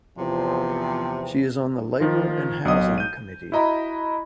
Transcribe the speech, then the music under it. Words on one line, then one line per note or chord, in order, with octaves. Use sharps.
She is on the Labor and Housing committee.
E2 C3 F3
D#3 F3 F4
B1 F#3 D#5 D#6
G6 D#7
E4 F#4 D#5 A#5 B5